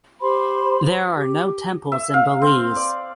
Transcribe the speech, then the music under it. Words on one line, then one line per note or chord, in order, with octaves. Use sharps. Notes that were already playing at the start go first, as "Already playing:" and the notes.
There are no temples in Belize.
G4 C5 B5 C6
G4
E5
F5
C4
D5